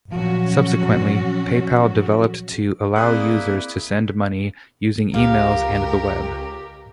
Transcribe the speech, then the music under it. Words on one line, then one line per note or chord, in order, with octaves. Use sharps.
Subsequently, PayPal developed to allow users to send money using emails and the web.
A#2 F3 F#3 C#4 F#4
A#3 C4 E4 G#4 D5 E5 D#6 F#6
C#2 G4 A#4 F5